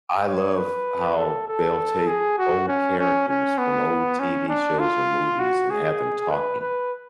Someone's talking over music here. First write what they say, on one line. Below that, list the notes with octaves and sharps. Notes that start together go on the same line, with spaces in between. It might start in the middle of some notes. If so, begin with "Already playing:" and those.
I love how they'll take old characters from old TV shows or movies and have them talking
C#5
B4
A4
A4
G#4
F#4
C#4
C#4
C#4
B3
C#4
D4
F4
F#4
G#4
B4
B4